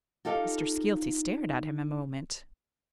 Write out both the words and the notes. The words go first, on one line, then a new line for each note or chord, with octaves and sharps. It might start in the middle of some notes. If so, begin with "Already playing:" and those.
Mr. Skeelty stared at him a moment.
D#4 F4 G4 A4 F5